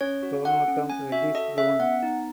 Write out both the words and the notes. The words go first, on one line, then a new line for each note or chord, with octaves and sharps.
Pronotum reddish brown.
C#4 C#5
F#4
A4 F#5
C#4
C#4 G#5
F#4 E5
A4 D#5
C#4 E5
B3 F#5
D#4